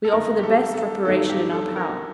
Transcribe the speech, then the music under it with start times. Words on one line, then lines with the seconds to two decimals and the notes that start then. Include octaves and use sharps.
We offer the best reparation in our power.
0.05 A4
0.12 G1 G2 D#3 A3 D#4 A#4
0.39 G4
0.43 A4
0.74 A4
1.05 G1 G2 D#3 A3 D#4 A4
1.29 G4
1.52 A4
1.76 A#4